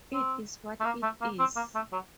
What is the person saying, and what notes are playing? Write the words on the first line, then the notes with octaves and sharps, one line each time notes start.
It is what it is.
C4
A3
A#3
A3
A#3
C4
A#3
A3
F#3